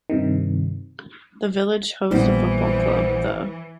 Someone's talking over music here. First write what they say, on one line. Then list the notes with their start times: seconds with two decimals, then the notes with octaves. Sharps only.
The village hosts a football club, the.
0.10 G2 C3 D#3
2.11 A#1 E3 G3 B3 C5